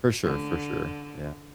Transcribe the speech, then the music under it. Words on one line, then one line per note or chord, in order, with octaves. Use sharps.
For sure, for sure. Yeah.
D3